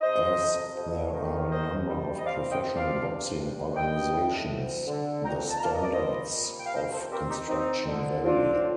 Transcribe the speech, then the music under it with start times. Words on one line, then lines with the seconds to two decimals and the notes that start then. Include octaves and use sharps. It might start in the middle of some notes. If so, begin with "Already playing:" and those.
As there are a number of professional boxing organizations, the standards of construction vary.
0.01 C3 C5 D#5
0.39 F2
0.76 F2
1.14 D#3
1.51 D#2 C5 D#5
1.89 G3
2.19 D#5
2.25 C4 D5 F5
2.51 D#5 G5
2.64 C3
2.75 D5 F5
3.01 G2
3.38 G2
3.75 G3 D#5 G5
4.13 A2
4.51 D2
4.87 D3
5.24 F2 G5 A#5
5.50 A5
5.57 A#5
5.62 A#3 F5 A5
5.74 D#5
5.83 D5
5.92 C5 D#5
6.00 G3
6.36 A#2
6.59 G5
6.66 F5
6.74 C4 C5 D#5
6.93 A4 C5
7.12 C4 G4 A#4
7.30 D#4 G4
7.49 C4 D#4
7.87 D3
8.24 C4 D4 F4
8.61 A2